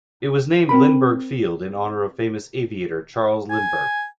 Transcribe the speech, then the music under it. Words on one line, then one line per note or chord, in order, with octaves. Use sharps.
It was named Lindbergh Field in honor of famous aviator Charles Lindbergh.
C4 A#4 B5
G#5